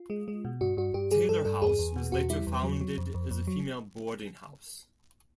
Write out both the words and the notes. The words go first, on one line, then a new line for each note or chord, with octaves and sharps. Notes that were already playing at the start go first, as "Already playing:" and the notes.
Taylor house was later founded as a female boarding house.
Already playing: F4
G#3
G#3
B2
G2 F#4
G2 F#4
G2 G4
G3 G#4
G2 A4
G2 A4
E2 G#4
E2
B2
E2 F#4
G3 E4
E2
F#3
F#3
F2
F2
F2
F#3